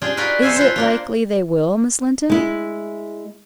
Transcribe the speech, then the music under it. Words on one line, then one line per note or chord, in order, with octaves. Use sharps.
"Is it likely they will, Miss Linton?"
D4 F4 G4 G#4
D#4 F4 F#4 A#4 B4
A4 C5 E5 F5 G#5
F4 B4 C5
A#3 D4 F4
G#3 E4